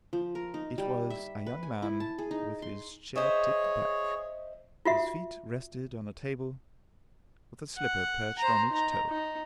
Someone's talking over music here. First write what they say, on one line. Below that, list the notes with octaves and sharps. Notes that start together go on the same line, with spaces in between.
It was a young man with his chair tipped back; his feet rested on a table, with a slipper perched on each toe.
F3
A#4
D#4
G3
E5
B4
G#5
E4
A5
G#4
D#4
C6
G#4 C5 C#5 D#5 E5
F4 F#4 E5
F#5
C5 A#5
D#4 A#5
D#4